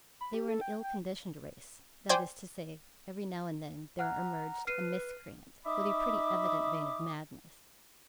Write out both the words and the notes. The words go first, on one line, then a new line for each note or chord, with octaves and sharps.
They were an ill-conditioned race--that is to say, every now and then there emerged a miscreant, with a pretty evident vein of madness.
B5
G4
A4
G5
G5
C5 D5 G5 G#5
F#5 A#5 F6 F#6
B4 F6 C7 D#7
D#4 E5 B5 D6 D#6